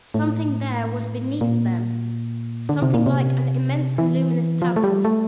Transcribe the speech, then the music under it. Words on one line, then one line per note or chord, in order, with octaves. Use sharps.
Something there was beneath them--something like an immense and luminous tablet.
A2
A#2
D3
C3
A#2
C3
E3
F3
A3
G3
A3